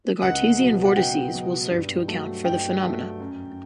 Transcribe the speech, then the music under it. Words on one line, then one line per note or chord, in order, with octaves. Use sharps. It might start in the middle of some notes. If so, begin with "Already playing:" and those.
The Cartesian vortices will serve to account for the phenomena.
C#2 F#5
B2 F#3
F#5
C#2 G5
B2 F#3
G2
F#3 A3
G2 G5
F#3 A3
F#2